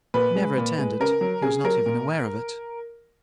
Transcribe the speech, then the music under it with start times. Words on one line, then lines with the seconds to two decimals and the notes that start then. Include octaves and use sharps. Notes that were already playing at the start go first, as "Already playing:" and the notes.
He never returned it--he was not even aware of it.
0.14 A#2 B4
0.35 G#3
0.57 A#2
0.78 G#3
1.00 C#3 A#4
1.21 F#3
1.42 C#3 G#4
1.64 F#3 A#4
1.86 A#2